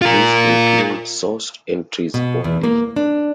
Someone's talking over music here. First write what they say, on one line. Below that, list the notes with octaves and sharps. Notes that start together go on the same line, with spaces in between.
Please include sourced entries only.
F4 A#4
B2
E2
A#3
D4